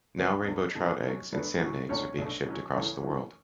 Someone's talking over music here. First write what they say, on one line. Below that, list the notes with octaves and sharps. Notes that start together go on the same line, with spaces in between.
Now rainbow trout eggs and salmon eggs were being shipped across the world.
C#2 C#3 F#3 B3 B4
C#2 B2 A3
E2 B2 A3 C#4 A4
B2 F#3 C#4
F#2 D3 A3 B3 D4 B4
A2 F#3 C#4
C#2 B2 A3 C#4 D4 C#5
B1 B2 A3 D4
B2 F#3 C#4
C#2 C#3 E3 A3 C#4 C#5
F#2 E3 A3